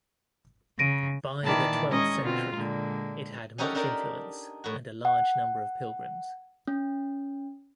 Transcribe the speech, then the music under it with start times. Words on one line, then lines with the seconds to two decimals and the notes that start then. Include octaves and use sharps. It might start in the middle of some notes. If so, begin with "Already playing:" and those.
By the twelfth century, it had much influence and a large number of pilgrims.
0.79 C#3 A#6 D7 D#7
1.44 A#2 D#3 E3 D5 A5 B5
1.90 G#3 C#4 D#5 A#5 C#6
2.23 B2 D3 C4 F4
2.55 A#2 D3 G#3
3.58 C#4 D#4 F#4 G4 A4 A#4
3.75 D4 D#4 G4 A#4 D5
4.64 A2 F#4
5.05 F#5
6.68 C#4